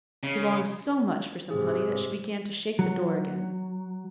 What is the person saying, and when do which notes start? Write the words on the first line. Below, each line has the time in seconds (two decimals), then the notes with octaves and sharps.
She longed so much for some honey that she began to shake the door again.
0.23 C#3
1.51 G#2 C3 G#4
2.79 F#3